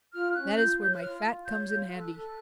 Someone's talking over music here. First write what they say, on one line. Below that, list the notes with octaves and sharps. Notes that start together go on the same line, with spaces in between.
That is where my fat comes in handy.
F4 F6
C#4 F#6
F4 G6
C#5 G6
F#6
F4 F6
F4
C#5 G6
F4
A4 F#6
A4